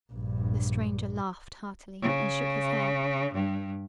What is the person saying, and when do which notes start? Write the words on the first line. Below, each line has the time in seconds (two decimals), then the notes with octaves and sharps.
The stranger laughed heartily, and shook his head.
0.12 A#1 G2
2.02 C#3
3.34 G2